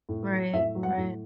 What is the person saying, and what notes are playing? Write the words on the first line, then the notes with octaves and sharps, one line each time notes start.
Right. Right.
A2
F#3
A2 E5
F#3
F#5
A2